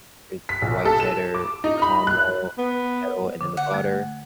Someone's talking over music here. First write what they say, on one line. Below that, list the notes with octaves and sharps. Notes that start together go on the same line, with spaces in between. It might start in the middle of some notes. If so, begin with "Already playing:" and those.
there's, like, the white cheddar, the caramel, the kettle, and then, the butter.
B6
B1
A4
E7
D6
D#4
B5
F#6
B3
D3
F#5
A3